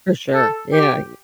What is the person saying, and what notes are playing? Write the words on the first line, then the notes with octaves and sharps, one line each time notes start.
For sure, yeah, m
A4
G4